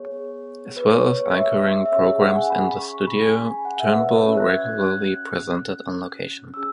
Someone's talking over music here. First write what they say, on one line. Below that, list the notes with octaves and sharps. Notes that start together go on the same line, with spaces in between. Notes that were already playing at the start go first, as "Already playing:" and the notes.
As well as anchoring programmes in the studio, Turnbull regularly presented on location.
Already playing: B3 G#4 C#5
B4
C#5
C#5
E5
E5
C#4 G#4 C#5
E5
F#5
G#5
B5
B5
C#6
B5
G#5
G#5
F#5
E5
B4
C#5
C#4 F#4 E5
F#6
G#6
G#6
F#6
C#4 G#4 E6